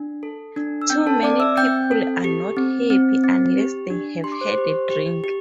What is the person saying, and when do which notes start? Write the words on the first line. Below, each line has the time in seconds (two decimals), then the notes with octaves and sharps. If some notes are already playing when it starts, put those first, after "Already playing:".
Too many people are not happy unless they have had a drink.
Already playing: D4
0.23 A4
0.56 D4
0.82 E6
0.90 C4 G5 G6
1.07 A4 A5
1.23 C4 D5 D6
1.40 E5 E6
1.57 C4 G5 G6
1.91 A4
2.24 G4
2.57 C4
2.90 C4
3.24 C4
3.58 G4
3.90 D4
4.23 G4 C6
4.32 D6
4.41 C5 C6
4.58 G4
4.90 G4
5.24 G4